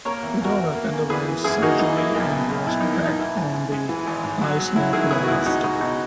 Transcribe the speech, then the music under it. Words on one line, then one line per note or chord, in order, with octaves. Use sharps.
Fedoruk underwent surgery and was back on the ice not long after.
A#3 A#4 C#5
E2
E2 F#4 A#4
E2
A#3
E2
E3 G#4 B4
E3
F#2 E4 G#4
A#3 D#4 F#4
E3 D#4
A#3 E4
B1
B2
B1
B2 E4
D#4
A#3
E4
B2 D#4
E3 E4
G#2
G#2
G#3
E3
G#1
G#2
F#3
F#3
F#3 E4
D#3 E4 G#4
B3 E4 G#4
F#4
C#2 E4
G#3 D#4 F#4
C#2 D#4 F#4
B2 D#4 F#4